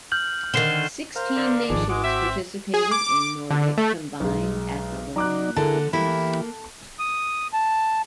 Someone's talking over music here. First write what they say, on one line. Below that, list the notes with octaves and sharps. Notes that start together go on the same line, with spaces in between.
Sixteen nations participated in nordic combined at the Lillehammer Games.
F6 G6 F#7
D3 D#3 C7 E7 G7
A#4 C5 F5
D3
G#1 D#3 F3 D4 E4 G#4
G#3 F#4 D6
C4 E5
G#4
D6
D3
A3
B1 G#3
F#3 D#4 D5 A#5 D6 F#6
D3 E4 G#4 A#4 A5
E3 A#3 E4 G4
D#6
A5